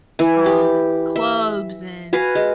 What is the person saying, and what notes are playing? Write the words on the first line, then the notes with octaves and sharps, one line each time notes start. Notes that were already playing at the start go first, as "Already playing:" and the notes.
Um, clubs and,
E3 G#5
G4
E5
F#4 B4 F5 G#5
G#3